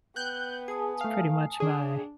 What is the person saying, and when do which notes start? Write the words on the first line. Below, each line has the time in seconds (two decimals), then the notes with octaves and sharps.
It's pretty much my
0.16 B3 G5 F#6 G6
0.68 G#4 G#5 A5 D#6
1.01 A3 F5
1.60 D4 G#4